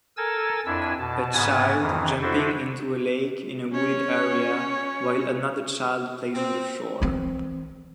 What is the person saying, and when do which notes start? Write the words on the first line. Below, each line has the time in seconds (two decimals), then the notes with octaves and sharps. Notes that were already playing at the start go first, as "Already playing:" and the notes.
A child jumping into a lake in a wooded area while another child plays on the shore.
0.17 A4 A#4 G#5 E6 A6
0.66 F2 D4 E4 G#5 E6
0.99 B2 A5
1.33 G#2 C#3 B3 G#5 A6
1.80 F2 D#3 E3
2.21 D4 E4 F#4 A4 C5
3.72 C#4 C#5
6.35 C4
7.02 E3 C4